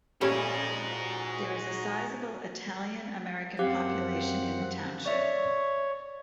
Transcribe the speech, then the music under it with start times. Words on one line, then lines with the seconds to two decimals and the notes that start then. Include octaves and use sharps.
There is a sizable Italian American population in the township.
0.21 F2 A#2 A3 C#4 D#4 E4 G4 G#4
0.93 F#4
3.59 F#2 C4 G4 F5 F#5
5.06 C#5 D5 E5 C#6